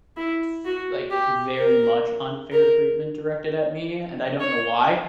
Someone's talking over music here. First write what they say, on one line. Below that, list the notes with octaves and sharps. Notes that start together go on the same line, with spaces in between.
s like, very much unfair treatment directed at me, and I don't know why.
E4
F#4
G4
A#4
A#4
C#5